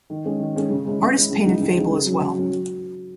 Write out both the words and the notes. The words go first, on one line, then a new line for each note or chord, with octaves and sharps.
Artists paint in fable as well.
D#3
G#3 C#4 G#4
D#3
G#3 C#4 G#4
C#3
G#3 C#4 E4
C#3
G#3 C#4 E4
C#2
C#3 E3 G#3 D#4
C#2
C#3 E3 G#3 D#4
C#3
F#3 C#4
C#3
F#3 C#4
F#3